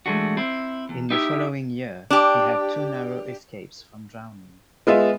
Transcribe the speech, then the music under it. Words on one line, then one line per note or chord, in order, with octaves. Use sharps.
In the following year, he had two narrow escapes from drowning.
E3 G#3 A3 D4 F#4
C4 E4 C5
E2
D#4 E4 G4 E5
D4 G4
G#3 B3 F4 E5